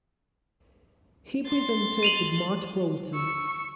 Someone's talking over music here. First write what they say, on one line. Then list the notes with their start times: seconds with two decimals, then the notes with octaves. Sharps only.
He presented with Matt Broughton.
1.47 C6 A6
2.03 D#7 F7 F#7
3.14 C#6 E6